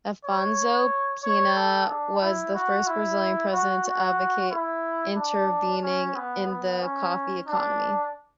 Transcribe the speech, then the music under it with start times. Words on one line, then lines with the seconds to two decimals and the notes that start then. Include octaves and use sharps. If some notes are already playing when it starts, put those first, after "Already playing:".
Afonso Pena was the first Brazilian president to advocate intervening in the coffee economy.
0.25 C#5
1.23 C#5
1.56 A4
1.89 D4
2.22 E4
2.55 F#4
2.87 E4
3.53 F#4
3.86 F#4
4.51 E4
5.17 D4
5.83 C#4
6.16 B3
6.48 B3
6.82 C#4
7.47 D4